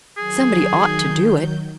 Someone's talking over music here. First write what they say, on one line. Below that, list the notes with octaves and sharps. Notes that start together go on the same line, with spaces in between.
Somebody ought to do it.
D#3 F#3 G#4 G6